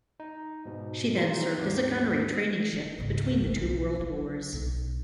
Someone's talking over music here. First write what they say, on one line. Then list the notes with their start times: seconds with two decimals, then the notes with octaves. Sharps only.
She then served as a gunnery training ship between the two world wars.
0.20 D#4
0.65 G#2 B2
1.15 G#3 C4 D#4 F4
1.58 D#2 G#2 F#3 G4 F#5 C7
2.73 E3
2.98 G#1 C#2
3.56 B1
3.99 F#3
4.53 B1